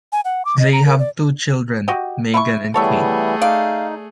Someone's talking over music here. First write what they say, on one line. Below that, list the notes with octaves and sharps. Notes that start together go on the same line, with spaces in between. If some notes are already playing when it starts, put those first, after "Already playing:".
They have two children, Meghan and Kate.
G#5
F#5
D6
D#5
A#5
A#4
D5
F#4 G4 D#5
E4 F5 C#6
E3 G3 A3 B3 G#4 A4 C#5 E5
D#4 D5 F5